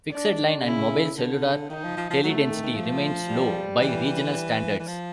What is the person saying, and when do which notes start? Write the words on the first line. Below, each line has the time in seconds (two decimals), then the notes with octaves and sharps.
Fixed-line and mobile-cellular teledensity remains low by regional standards.
0.12 D4
0.60 C3
0.64 C#3 E4
1.17 D3
1.70 D#3 D#4
1.84 F3
1.97 F3
2.10 F3
2.23 F#3 A3
2.37 D3
2.50 D#3
2.63 D#3
2.76 F3
3.29 G3
3.82 E3
4.79 E3
4.87 F3